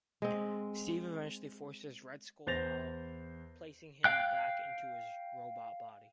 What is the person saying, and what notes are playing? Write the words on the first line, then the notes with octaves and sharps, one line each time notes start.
Steve eventually forces Red Skull out, placing him back into his robot body.
G#3 C4
E2 C5 G6 A6 A#6 F7
F5 G5 F#6